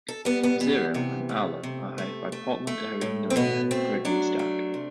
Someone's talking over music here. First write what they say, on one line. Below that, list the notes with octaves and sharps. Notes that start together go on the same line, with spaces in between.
Zero and Arlo are hired by Portland area millionaire Gregory Stark.
A4
G3 B3
B3
E3 B3
C3 B3
A3
C3
A3
A3
A3
A2
C4
B2 B3
A3 C4
F#3 D4
A3
C3